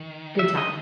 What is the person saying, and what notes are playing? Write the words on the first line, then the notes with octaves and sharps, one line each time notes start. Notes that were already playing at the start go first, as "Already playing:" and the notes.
Good times.
Already playing: D#3
E5
D#5